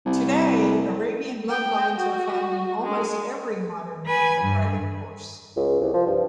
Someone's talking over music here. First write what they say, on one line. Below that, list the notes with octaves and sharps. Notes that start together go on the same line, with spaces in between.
Today, Arabian bloodlines are found in almost every modern breed of riding horse.
C2
G5
F#4
G#3
B4 G#5
G2
C#2
C2
F3
G2